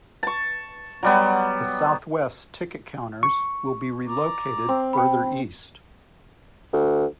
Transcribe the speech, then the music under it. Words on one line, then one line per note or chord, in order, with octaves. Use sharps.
The Southwest ticket counters will be relocated further east.
A5 C#6
F#3 G3 B3
C#6
D5 A#5
C4
G5 B5
D2